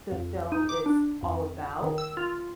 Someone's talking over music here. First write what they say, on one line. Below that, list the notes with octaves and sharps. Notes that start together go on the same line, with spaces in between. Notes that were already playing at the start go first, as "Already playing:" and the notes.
the film is all about.
F2
D#4
D6
D4
F2
D#3
E6
F4